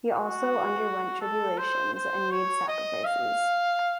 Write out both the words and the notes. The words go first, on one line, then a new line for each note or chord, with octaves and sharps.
He also underwent tribulations and made sacrifices.
F#4
A4
C5
C5
C#5
D#5
F5